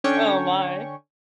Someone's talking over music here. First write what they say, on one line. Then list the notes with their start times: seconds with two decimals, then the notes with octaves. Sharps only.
Oh my.
0.04 D3 C#4 D4 C#5 G5 C#6